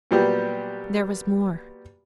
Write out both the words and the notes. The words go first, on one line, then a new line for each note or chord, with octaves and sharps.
There was more.
A#2 F#3 G3 B3 G4